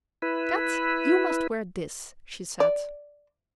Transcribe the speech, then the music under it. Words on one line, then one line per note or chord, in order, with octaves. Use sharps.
"Kat, you must wear this," she said.
E4 B4
D5